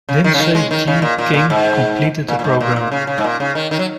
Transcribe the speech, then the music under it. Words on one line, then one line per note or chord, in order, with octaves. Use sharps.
Lindsay G. King, completed the program.
C#3
D#3
C#3
D#3
G#3
D#3
C#3
A#2
A#2
A#2
G#2
A#2
A#2
G#2
A#2
A#2
C#3
C#3
G#2
A#2
C#3
D#3
D#3
F#3